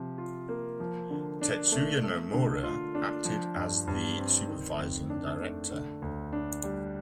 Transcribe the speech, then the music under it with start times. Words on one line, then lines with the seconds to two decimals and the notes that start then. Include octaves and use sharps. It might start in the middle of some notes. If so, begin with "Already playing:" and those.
Tetsuya Nomura acted as the supervising director.
Already playing: C3 F3
0.18 F4
0.49 A#3
0.80 F3
1.10 D3
1.41 D4
1.72 A3
2.03 A3
2.33 D3
2.63 F4
2.95 D4
3.25 F3
3.56 G2
3.87 G2
4.17 C4
4.48 D#3
4.79 F2
5.10 D4
5.40 A3
5.71 D3
6.02 D2
6.33 D4
6.64 G3